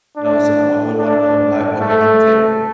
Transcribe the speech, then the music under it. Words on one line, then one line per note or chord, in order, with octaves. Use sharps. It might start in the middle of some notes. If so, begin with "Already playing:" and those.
You know, so I wou I would wanna know how what makes him tick,
D4
D4
A3